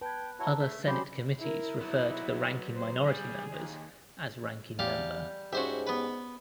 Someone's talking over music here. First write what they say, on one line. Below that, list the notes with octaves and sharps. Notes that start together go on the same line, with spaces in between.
Other Senate committees refer to the ranking minority members as Ranking Member.
B4 G5 A5 G#6
E4 F#4 C#5 A5 A#5 E6
A3 G#4 E5
F#3 C#4 G4 G#4 C5 B5
E4 A#4
F#3 B3 E4
C5
G3 G#4
D#2
E2 G3 G4 F5
G#2 C#4 F#4 G4 C5 E5
B3 B4